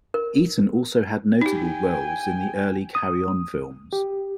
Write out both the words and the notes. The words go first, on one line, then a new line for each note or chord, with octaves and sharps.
Eaton also had notable roles in the early "Carry On" films.
A#4
D#4 G4 G5 G#5
D#6
G4